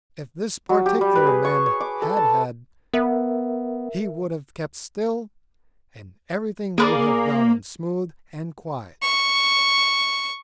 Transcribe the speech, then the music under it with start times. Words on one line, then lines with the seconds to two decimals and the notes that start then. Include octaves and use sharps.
If this particular man had had, he would have kept still, and everything would have gone on smooth and quiet.
0.69 F#3
0.86 G4
1.01 G3
1.15 B4
1.27 G#4
1.45 C#6
1.66 C#5
1.80 D6
2.02 A4
2.17 A5
2.94 B3 A#4 E5
6.78 A#3 G#4 B4 D5
9.02 C#6